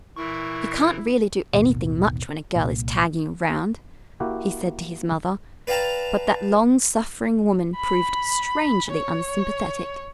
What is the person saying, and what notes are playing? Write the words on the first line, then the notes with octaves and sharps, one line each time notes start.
"You can't really do anything much when a girl is tagging around," he said to his mother, but that long-suffering woman proved strangely unsympathetic.
A#2 E3 E4 A#4 C#6
A1 D#2 B2 D#3
C2 A#2
A#3 E4 F#4 G4
B4 D5 F5 G5 A5 A#5
B5
C#5